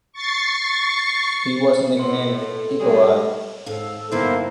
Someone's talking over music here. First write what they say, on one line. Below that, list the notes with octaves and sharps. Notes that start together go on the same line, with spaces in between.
He was nicknamed "eagle eye".
C#6 A6 C7
A2 B3 C6 C#7
A4
G3 G#3 G4 G#4 C#5
D#2 G#2 A4 F5
G2 D3 D#3 A#3 B3 E4 C5